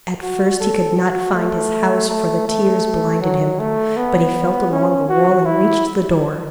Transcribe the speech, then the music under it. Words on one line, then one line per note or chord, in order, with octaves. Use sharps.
At first he could not find his house, for the tears blinded him, but he felt along the wall and reached the door.
F#4
A4
F#4
A3
A3
A3
F#3
A3
B3
C#4
F#4
E4